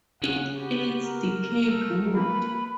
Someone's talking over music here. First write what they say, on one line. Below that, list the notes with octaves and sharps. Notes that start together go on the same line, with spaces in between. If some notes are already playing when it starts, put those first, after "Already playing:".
It eats decayed wood.
C#3 F#5
B3 F#4 G4
A#4
A3 A4
A#3 B4 B5